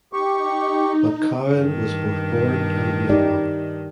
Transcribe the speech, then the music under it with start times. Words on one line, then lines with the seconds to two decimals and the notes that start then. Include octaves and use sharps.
But Cowan was both born and made one.
0.13 D#4 G4 C#6
1.55 G2 D#3
3.09 D#4 G4 D5